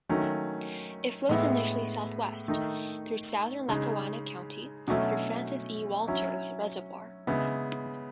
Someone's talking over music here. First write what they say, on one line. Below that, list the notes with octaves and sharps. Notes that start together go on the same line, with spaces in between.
It flows initially southwest, through southern Lackawanna County, through Francis E. Walter Reservoir.
D#3 F#3 A3 C#4
A2 G#3 B3 E4
D#3 A3 D#4
C#3 G#3 D#4
B2 F#3 A3 C#4 E4
F#3 C#4 E4
C#3 G#3 B3 E4